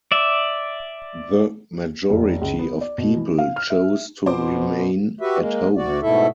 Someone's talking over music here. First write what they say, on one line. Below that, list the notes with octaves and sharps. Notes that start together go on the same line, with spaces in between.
The majority of people chose to remain at home.
D5 E5
F1
C#2
B3
D5
B2
E3
F5
F6
E5
B2 C5 D6
F#4 G4 B4 E5
G#3 A#3
D2 F#4 D5
G#2 B2 A3 E4 A4 E5